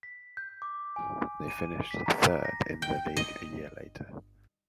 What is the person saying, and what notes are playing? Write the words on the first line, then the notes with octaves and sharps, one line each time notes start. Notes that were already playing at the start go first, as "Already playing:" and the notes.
They finished third in the league a year later.
B6
G6
D6
G#5
D#7
B6
A#5
A#6
G5
D#5